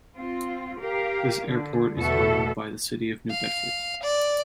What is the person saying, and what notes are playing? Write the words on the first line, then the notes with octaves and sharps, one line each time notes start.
This airport is owned by the City of New Bedford.
C4 F4
G4 A#4 F5
D3
E2 B2 A3 F#4 A4 E5
F5
D5